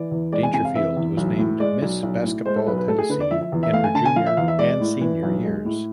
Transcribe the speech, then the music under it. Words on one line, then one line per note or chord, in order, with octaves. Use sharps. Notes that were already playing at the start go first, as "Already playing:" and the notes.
Dangerfield was named Miss Basketball Tennessee in her junior and senior years.
Already playing: E3 D5
E2
G#3 D5
G#5
C3 G#5
F5
E3 E5
E2
B1
A2
G#3 D5
B1
B1
A2
G#3 C5
A4
B1 B4
B4
A3 A4
G#4
D3 B4
D5
F3 E5
E5
E2
E5
A3 F5
G#5
D3 A5
G#5
F3 F5
E5
E2 F5
E5
G#3 D5
A2
E3
B1
G#3
A2